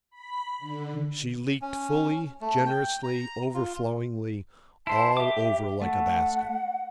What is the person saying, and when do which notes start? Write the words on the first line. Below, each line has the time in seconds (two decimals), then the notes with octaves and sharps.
She leaked fully, generously, overflowingly, all over-- like a basket.
0.10 B5
0.59 D3
1.62 C#4
2.41 A3
2.66 G5
3.03 A#5
3.54 F4
4.87 E4 C5 A5
5.17 G4 E5 D6
5.82 A3 F#5